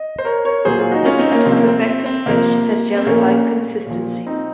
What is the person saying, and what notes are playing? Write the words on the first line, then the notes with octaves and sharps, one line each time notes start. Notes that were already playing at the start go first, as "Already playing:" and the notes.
The meat of affected fish has a "jelly-like" consistency.
Already playing: D#5
C5
A#4 C#5
A#4 C#5
A#2 F#3 G#4 C5
F4 G#4
D#4 F#4
C#4 F4
C4 D#4
A#3 C#4
C3 F3 C4
A#3
C4
C4
C4
C3 F3 A#3
C4
A#2 F3 A#3 C#4
A#2 F3
C4 D#4